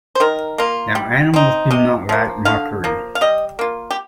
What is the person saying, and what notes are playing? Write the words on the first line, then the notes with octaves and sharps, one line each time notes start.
Now animals do not like mockery.
C5
D#3 A#4
A#3 F4
G3
C4 D#4
C3 D#5
F3 A#3
D3 F5
F3 A#3
F5
G3 D#5
A#3 F4
G4